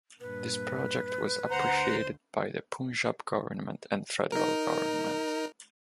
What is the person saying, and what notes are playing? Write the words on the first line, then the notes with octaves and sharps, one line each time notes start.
This project was appreciated by the Punjab Government and Federal Government.
G2 A#2 B4
D2 C5 F#5 A#5 C6
D#4 A#4